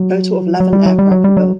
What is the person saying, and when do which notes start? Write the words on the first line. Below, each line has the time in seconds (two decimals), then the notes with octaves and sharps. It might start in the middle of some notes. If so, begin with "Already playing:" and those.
A total of eleven aircraft were built.
Already playing: F#3
0.60 F#3
0.73 G3
0.86 F#3
0.99 G3
1.11 F#3
1.24 G3
1.37 F#3